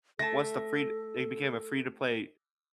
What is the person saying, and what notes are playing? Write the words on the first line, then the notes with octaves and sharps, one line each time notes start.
once the free it became a free-to-play
A3 A4 A5 A#6